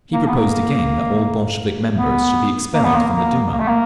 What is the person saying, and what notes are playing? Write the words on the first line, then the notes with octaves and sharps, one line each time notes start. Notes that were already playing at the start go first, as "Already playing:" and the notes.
He proposed again that all Bolshevik members should be expelled from the Duma.
A#3
B3
A#3
B3
A#3
B3
A#3
A#3
A#3
A3
A#3